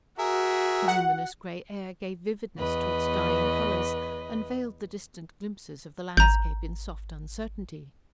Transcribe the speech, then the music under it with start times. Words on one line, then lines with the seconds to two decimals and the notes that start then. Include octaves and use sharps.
The luminous grey air gave vividness to its dying colours, and veiled the distant glimpses of the landscape in soft uncertainty.
0.19 F#4 G#4 A#4 E5
0.88 F#5
2.57 E2 B4 D#5
6.17 G#1 A#5 G6